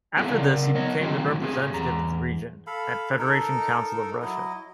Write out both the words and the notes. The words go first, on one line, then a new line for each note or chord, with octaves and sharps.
After this he became the representative of the region at Federation Council of Russia.
B3 C4 D4 E4 F4 G#4
C#3 A#4 D5
B3 C#5 D#5
D#3 F#3 C4 F4 G4
C4 G4 G#4
E2 A#5
A4 F5 B5
D#4 A4 A#4
F#3 E4 D#5